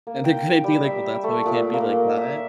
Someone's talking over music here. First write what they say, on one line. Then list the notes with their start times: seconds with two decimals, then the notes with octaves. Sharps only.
And they're gonna be like, "Well, that's why we can't be like that."
0.07 A#3
0.24 G5
0.64 G3
0.85 E5
1.24 A3
1.46 A#2
1.74 A#3
2.17 E5